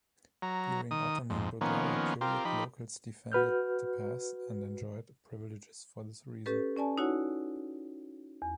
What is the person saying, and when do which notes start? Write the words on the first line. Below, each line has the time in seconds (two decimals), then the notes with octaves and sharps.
During Ottoman Bulgaria period locals defended the pass and enjoyed privileges for this reason.
0.42 F#3 A#5
0.91 D#3 D#6
1.30 F2 G#2
1.61 D#3 F3 A#3 B3 C#4
2.21 C4 F4 G4 A#4
2.45 F3 D#4 G4 B5
3.32 F#4 B4 F6 G6
6.46 C#4 G4 A4 B4
6.77 C#4 D5 G#5 A5
6.98 D#4 E4 F#4 C#5 F#5
8.42 E2